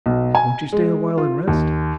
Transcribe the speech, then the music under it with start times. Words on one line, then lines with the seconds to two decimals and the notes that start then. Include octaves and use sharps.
"Won't you stay awhile and rest?"
0.06 B1
0.35 G#5
0.72 G#3
1.18 F4
1.48 D#2